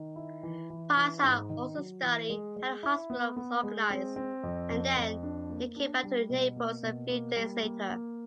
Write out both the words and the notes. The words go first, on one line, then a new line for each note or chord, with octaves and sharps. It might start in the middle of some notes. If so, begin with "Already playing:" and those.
Piazza also studied how the hospital was organized, and then, he came back to Naples a few days later.
Already playing: D#3
E4
E3
E3
E3
G#2
D#3
F#3
E3
G#3
G#3
E4
B3
B3
G#3
C4
C4
F2
F2
F2
D4
A#3
D4
G3
B2
A#3
B2
A#3
G3
A#3
A#3